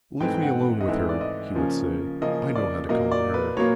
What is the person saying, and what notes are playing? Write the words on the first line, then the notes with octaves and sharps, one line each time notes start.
"Leave me alone with her," he would say; "I know how to calm her."
G#2 E3 A3 C4 G5
G5
F#5
D#5
G#2 E3 A3 C4 E5
D5
D#5
C#3 F3 A#3 C#4
C#3 F3 A#3 C#4 D#5
D5
A#2 F#3 A#3 D#5
D5
B4
A#2 F#3 A#3 C#5